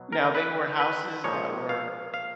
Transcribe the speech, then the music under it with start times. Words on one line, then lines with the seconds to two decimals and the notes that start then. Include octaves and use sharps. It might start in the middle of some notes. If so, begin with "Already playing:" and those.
Now, they were houses that were
Already playing: B2 F#3
0.13 A#4
0.35 B4
0.80 B4
1.24 A#2 F3 G#3 C#5
1.69 F5
2.14 F5